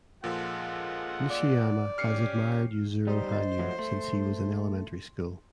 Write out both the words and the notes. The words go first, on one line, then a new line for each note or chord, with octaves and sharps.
Nishiyama has admired Yuzuru Hanyu since he was in elementary school.
A#2 F3 G#3 F4 A4 F#5
D5
C#4 G4 F6 C7 C#7
G3 D#4 C5
D#5
F3 F#3 A3
A3 C6